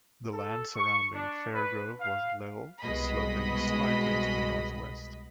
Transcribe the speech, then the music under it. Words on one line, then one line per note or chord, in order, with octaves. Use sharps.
The land surrounding Fairgrove was level, sloping slightly to the northwest.
A4
C#6
D4
B4
F5
C2 B2 G#3 D#5 B5